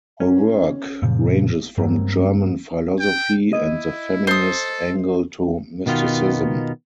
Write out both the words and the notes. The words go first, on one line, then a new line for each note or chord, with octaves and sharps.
Her work ranges from German philosophy and the feminist angle to mysticism.
C#4
F#2 A#2 C#3 F3
G2 F#3 A#3 C4
G5
E4 D#5
A4 C5 D#6
B2 D#3 B3 F4